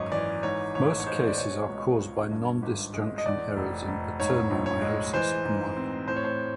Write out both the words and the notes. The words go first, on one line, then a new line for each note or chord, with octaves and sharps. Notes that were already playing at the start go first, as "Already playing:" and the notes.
Most cases are caused by nondisjunction errors in paternal meiosis I.
Already playing: G#1 F#2 C#5 D#5
E3 D5
G#2 C#5
A1 C#5
C#5
G#3 C5
D5
B2 C#5
C#2
C#2
G2
G#1
G#3
D#5
E2 D5
F1
F1
G#2 C#5
A#1
C#5
G#3
E3 C5
G#2
C4
A2 C5
C#5
C5